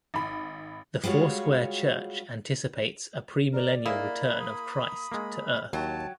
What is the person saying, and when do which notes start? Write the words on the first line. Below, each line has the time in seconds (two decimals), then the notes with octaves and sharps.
The Foursquare Church anticipates a premillennial return of Christ to earth.
0.14 G#1 B5
1.03 G3 G#3 F4 F#4 C#5
3.53 A#4 D5
3.85 A#3 E4 G#4 D#5 B5
4.39 D#6
5.12 G#3 A#3
5.73 D#2 F#3 G5 A5